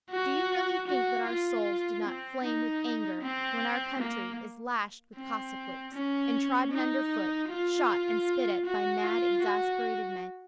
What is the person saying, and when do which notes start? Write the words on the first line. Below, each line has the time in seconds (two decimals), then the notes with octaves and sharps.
Do you really think that our souls do not flame with anger when our country is lashed with Cossack-whips, and trodden under foot, shot and spit at by mad, exasperated men?
0.10 F#4
0.87 F#4
1.26 F4
2.05 C4
2.44 D#4
3.22 C4
3.99 A#3
5.15 C4
5.94 C#4
6.72 D#4
7.49 F4
8.66 F#4
9.04 F4
9.43 F#4